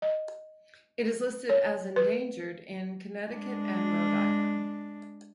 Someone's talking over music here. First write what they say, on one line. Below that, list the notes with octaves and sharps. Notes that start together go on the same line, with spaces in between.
It is listed as endangered in Connecticut and Rhode Island.
D#5
C#5
B4
G#3 D4